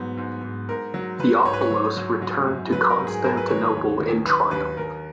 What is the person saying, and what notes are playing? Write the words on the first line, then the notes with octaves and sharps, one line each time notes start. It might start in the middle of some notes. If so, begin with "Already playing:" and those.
Theophilos returned to Constantinople in triumph.
Already playing: G#2 F#3 B3
G#2
G#2
G#2 A#4
F#3
F#3 B4
G#2 C#5
B4
C#5
F#3
F#3
F#3
F#2
F#3 B4
A#4
G#2
G#4
F#3 A#4
B4
D#3 C#5
D#2
D#3
F#3 B4
D#2 B4
D#2 A#4